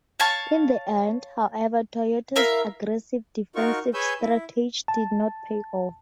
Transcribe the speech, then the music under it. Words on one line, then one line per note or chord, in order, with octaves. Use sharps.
In the end, however, Toyoda's aggressive defensive strategy did not pay off.
C#5 F5 A5 C#6
E4 A#4 E5 F5
D#4 F4 F#4 A#4 C#6
G#4 B4 C#5 G#5 E6 G6
E4
A5